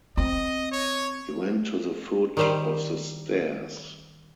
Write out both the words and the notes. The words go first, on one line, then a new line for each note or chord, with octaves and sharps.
He went to the foot of the stairs.
C4 D#5
C#5
D#3 G3 C5